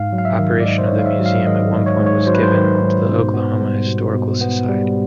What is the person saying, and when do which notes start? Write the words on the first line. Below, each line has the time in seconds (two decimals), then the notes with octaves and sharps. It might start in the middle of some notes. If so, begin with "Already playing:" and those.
Operation of the museum at one point was given to the Oklahoma Historical Society.
Already playing: G#2 F5
0.13 F#3
0.18 F5
0.25 E5
0.39 D#3
0.60 D5
0.66 G#2 D#5
0.78 C5
0.86 C#5
0.92 G#2
0.99 F5
1.06 E5
1.19 F#3
1.26 F5
1.46 D#3 D#5
1.73 G#2
1.86 C#5
2.00 G#2
2.06 C#5
2.27 F#3 C5
2.34 B4
2.43 C5
2.54 D#3
2.81 G#2
3.07 B2
3.34 B3
3.61 G3
3.88 B2
4.14 B2
4.41 B3
4.69 G3